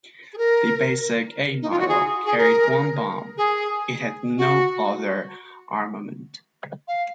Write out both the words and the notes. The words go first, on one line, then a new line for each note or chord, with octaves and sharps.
The basic A model carried one bomb; it had no other armament.
G#4
A#4
D#4
F4
F#4
G#4
G#4
A#4
G#4
F#4
F5